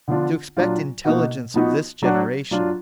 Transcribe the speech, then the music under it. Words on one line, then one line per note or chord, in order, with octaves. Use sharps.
"To expect intelligence of this generation!"
D3 F3 B3 D4 F4
A#2 F#3 D4 F4
B2 A#3 D#4 F#4
F3 B3 D#4 F#4
F#3 D4 F#4
F#3 D4 F4